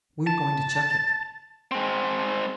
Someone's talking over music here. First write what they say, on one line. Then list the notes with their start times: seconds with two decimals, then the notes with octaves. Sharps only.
We're going to chuck it.
0.27 A5
1.72 G#3 C4